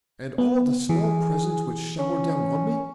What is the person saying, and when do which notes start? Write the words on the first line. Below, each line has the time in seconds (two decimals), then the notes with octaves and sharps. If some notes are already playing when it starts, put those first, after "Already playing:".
And all the small presents which showered down on me?
0.38 B3
0.89 E3 G#4
1.99 C#4